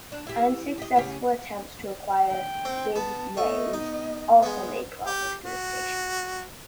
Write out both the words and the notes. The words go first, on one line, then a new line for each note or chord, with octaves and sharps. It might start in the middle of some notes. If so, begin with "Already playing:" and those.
Unsuccessful attempts to acquire "big names" also made problems for the station.
D4
E4 G4
G4 D#5
C#3 C#4 G4
G5
C4
B3 A5
A3 B3 D#5
D#4
G#3 B3
G4
F#4